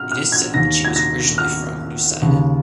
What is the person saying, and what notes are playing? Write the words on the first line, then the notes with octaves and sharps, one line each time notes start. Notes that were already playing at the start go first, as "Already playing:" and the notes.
It is said that she was originally from Nousiainen.
Already playing: F6
F6
G#6
D#2 D#3 A#6
G#6
A#6
F6
D#2 C#3